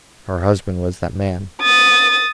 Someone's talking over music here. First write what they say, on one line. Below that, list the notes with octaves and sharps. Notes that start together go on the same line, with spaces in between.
Her husband was that man.
D#6 A6